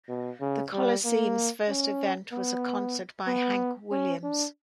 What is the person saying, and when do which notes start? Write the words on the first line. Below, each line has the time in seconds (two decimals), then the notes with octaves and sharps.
The coliseum's first event was a concert by Hank Williams.
0.08 B2
0.40 C#3
0.73 G3
1.05 A#3
1.68 C#4
2.32 B3
3.27 B3
3.91 C#4
4.23 D4